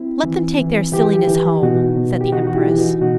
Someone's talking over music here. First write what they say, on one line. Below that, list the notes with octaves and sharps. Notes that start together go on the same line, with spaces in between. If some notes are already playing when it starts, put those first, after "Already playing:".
'Let them take their silliness home,' said the empress.
Already playing: C4 E4
E3
E3
E3 G4
E4 G4
E3
B2 D#4 F#4
B2
G4
E3 D#4 F#4
F#4
E4 G4
E3
D#4 F#4
B2 D#4 F#4